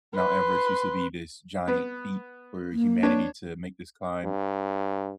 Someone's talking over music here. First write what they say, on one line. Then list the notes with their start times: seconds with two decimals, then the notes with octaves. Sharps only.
Mount Everest used to be this giant feat for humanity to make this climb,
0.14 B4 C6
1.68 B3
2.73 A#3
3.03 D4 C#5
4.24 G2